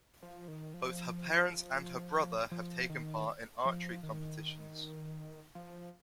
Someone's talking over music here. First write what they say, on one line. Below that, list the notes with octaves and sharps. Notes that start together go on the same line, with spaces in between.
Both her parents and her brother have taken part in archery competitions.
F3
D#3
F3
F3
D#3
F3
D#3
F3